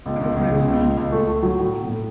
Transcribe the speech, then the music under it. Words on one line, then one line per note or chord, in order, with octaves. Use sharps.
I'm afraid it'll be Steve Tina.
C#2
C#2
C#2
C#3
C#2
C#2
C#2
A3
A3
F#3
A2
A2
A2